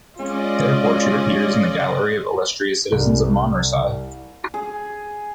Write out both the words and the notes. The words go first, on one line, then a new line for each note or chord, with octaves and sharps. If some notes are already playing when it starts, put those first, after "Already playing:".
Their portrait appears in the Gallery of illustrious citizens of Manresa.
G#3 C#4 F4 D5 D#5
C2
G#4